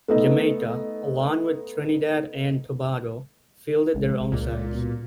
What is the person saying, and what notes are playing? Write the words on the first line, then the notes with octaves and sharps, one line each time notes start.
Jamaica, along with Trinidad and Tobago, fielded their own sides.
A3 B3 D#4
A#1 G#3
C#2 A#2
B2